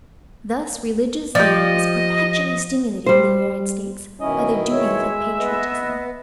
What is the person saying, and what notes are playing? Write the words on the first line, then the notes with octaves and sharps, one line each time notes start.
Thus religious zeal is perpetually stimulated in the United States by the duties of patriotism.
F3 G4 D5 D#5
G3 C5
B2 D#3 C#4 E4 D#5
G#3 C#5 E5
B3 B4 D#5